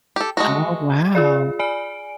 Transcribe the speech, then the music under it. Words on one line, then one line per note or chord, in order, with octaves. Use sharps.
Oh, wow.
G4 A4
G#3 A3 F#4
F4 G#4 D5
D5 G#5 D7